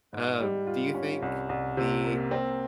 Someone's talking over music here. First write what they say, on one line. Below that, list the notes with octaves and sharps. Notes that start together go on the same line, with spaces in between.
Um, do you think the
G#2
G3
F4
C#4
C2
C2
C3
A#3
C4